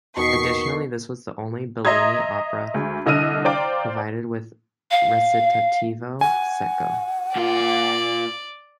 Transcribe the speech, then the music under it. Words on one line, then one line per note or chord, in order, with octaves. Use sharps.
Additionally, this was the only Bellini opera provided with "Recitativo secco".
E2 B2 D#3 F#4 C#6 D#6 B6 C7
D#5 E5 A#5 C6 D#6 G#6
D2 G#3
C2 D3 D#5 E6 F6 D#7
C5 D5 F5 G5 A#5 D6
F5
F#5 G#5
A#2 F4 D5